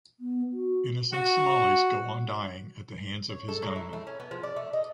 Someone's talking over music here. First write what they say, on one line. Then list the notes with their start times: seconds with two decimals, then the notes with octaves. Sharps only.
Innocent Somalis go on dying at the hands of his gunmen.
0.20 B3
0.53 F#4
1.13 F#4
3.30 C#5
3.48 A4
3.62 F#3
3.76 E4
3.93 A3
4.07 C#4
4.20 B3
4.31 F3
4.43 D5
4.56 A3
4.73 D#5